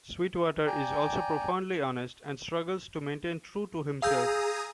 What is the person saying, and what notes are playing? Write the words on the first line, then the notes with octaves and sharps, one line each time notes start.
Sweetwater is also profoundly honest and struggles to maintain true to himself.
D5 G5 G#5 A#5
G#4 F5 A#5 D#6 E6 G6